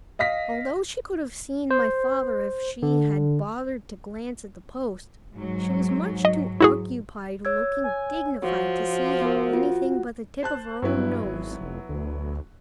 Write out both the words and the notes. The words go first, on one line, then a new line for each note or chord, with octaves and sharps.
Although she could have seen my father if she had bothered to glance at the post, she was much too occupied looking dignified to see anything but the tip of her own nose.
D#5 F5 A#6 B6
C5
D3
G#2 F#3
D#5
E4 F#4 G#4
C#5 E6 G#6
G#5
F3 F#4
B3 A#4
F4
C5 A5 F#6
G2 F#3 B3 E4
G#1
F1
D2